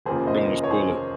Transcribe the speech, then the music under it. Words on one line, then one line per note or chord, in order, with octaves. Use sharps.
Don't wanna spoil it.
F1 D#2 C#3 F3 A#3 G#4 C5
C5 D#5
C#5
G#4 C5